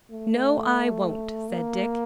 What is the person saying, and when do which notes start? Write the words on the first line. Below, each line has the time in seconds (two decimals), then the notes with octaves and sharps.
"No, I won't," said Dick.
0.11 A3
1.50 A#3